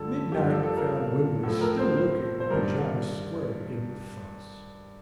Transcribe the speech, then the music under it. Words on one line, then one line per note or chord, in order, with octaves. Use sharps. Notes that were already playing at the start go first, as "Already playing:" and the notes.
Midnight found Wimley still looking the pajamas squarely in the fuzz.
Already playing: G2 D3 F3 A4
G4
G2 F3 F4
A4
A4
A#4
A2 F3 A4
A#4
C5
C5
C5
G2 D#3 A#4